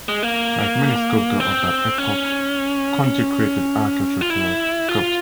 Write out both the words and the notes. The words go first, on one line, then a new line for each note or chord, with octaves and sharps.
Like many sculptor of that epoch Konti created architectural sculpture.
G#3
A#3
C4
C#4
F4
E4
F4